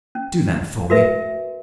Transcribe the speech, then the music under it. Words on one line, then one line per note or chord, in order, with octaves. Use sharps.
Do that for me.
C#4
F#4 A#4 B4 E5